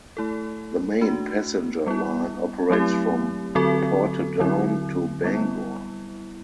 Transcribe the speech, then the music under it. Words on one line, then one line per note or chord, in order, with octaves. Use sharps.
The main passenger line operates from Portadown to Bangor.
A3 E4 A4
A3 D4 F#4
G3 B3 E4
F#3 A3 C4 E4 G4
D3 F#3 C4 F#4 A4
D3 F#3 C4 E4
G3 B3 E4